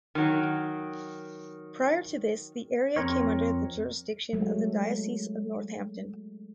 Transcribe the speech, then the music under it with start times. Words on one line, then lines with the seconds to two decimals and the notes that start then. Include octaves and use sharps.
Prior to this the area came under the jurisdiction of the Diocese of Northampton.
0.15 D#3 F#3
2.96 F2 C4 A#4 C#5
4.33 F#3 G#3 A3